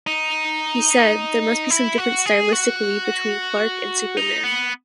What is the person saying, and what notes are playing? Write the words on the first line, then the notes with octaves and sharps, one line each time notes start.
He said, there must be some difference stylistically between Clark and Superman.
D#4
E4
F#4
G#4
F#4
D#4
B3